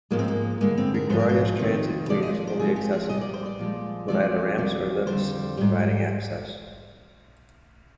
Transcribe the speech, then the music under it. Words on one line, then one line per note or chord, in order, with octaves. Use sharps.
Victoria's transit fleet is fully accessible, with either ramps or lifts providing access.
G#2 F3 G#3 A#3
C4
A#3
G2 D3 G#3 A#3
C4
A#4
G#2 F3 G#3 C5
A#4
C5
F2 C3 D#3
C3 F3 G#3 D5
D#5
D5
C5
C3 F3 G#3 G#4
G4
G#4
A#2 G3 D#5
D5
C5
D5
A#2 F3 G#3
C3 F3 G#3 D5
F2 D#3 G3
F2 D3 G3 C5
G#2 G3